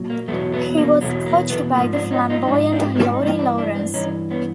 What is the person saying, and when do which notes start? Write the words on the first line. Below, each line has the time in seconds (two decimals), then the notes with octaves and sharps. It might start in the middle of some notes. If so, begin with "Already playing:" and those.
He was coached by the flamboyant Laurie Lawrence.
Already playing: A#2 F#3
0.10 A#3
0.28 E2 B2 F#3 A3 B3
0.53 A3 B3
0.77 A#3
1.01 E2 B2 F#3 A3
1.26 A#3
1.50 A3 B3
1.75 G#2 F3 A#3
1.93 C4 D4
2.11 C#4 D#4
2.30 D#4 F4
2.43 D#4
2.47 G#2 F3 D4 E4
2.72 C4 D4
2.96 B3 C#4
3.14 D#4
3.20 G2 E3 C4 D4
3.39 D4 E4
3.58 D4 E4
3.75 C4 D4
3.94 G2 E3 C#4 D#4
4.30 B3 C#4